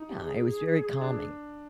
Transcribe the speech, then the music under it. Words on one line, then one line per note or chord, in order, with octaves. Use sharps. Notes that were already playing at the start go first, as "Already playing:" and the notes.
yeah, it was very calming,
Already playing: D#4
G4
G#4
D4